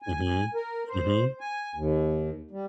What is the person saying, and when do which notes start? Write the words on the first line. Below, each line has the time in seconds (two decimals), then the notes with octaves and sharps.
Mhm. Mhm.
0.02 G#5
0.54 A#4
0.89 C5
1.40 G#5
1.75 D#2
2.51 G3